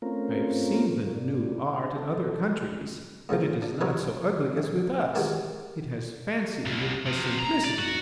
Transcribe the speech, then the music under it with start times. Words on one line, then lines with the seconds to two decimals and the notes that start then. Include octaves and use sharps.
I have seen the 'new art' in other countries, but it is not so ugly as with us; it has fancy and it has simplicity.
0.02 A3 C4 C#4 F4 A#4
1.14 D4
1.96 A4
3.29 A2 C#3 A3 A#3
3.62 D4
3.81 C2 C3 D#3 D#4 B4 C#5
4.57 A#1
5.15 D#3 E3 G#3 F#4 G4 A#4
6.66 C2
7.06 C3 F3
7.39 A#5
7.64 D5
7.78 F#4